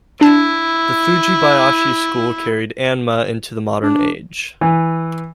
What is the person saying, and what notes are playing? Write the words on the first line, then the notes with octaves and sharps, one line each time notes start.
The Fujibayashi school carried anma into the modern age.
D4 E4 A5
D4
E3